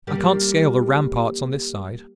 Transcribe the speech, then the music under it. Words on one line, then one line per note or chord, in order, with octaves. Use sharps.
I can't scale the ramparts on this side!'
G3 A#3 G4